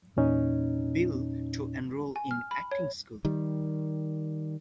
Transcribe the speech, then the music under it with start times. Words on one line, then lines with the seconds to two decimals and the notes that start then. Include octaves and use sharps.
Bill to enroll in acting school.
0.17 E2 A#2 C#4 D#4
2.16 G#5
2.31 F6
2.51 B5
2.71 C#5
3.25 D#3 G3